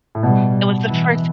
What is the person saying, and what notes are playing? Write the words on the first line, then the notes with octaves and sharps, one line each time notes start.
It was the first.
A2
B2 G3
E3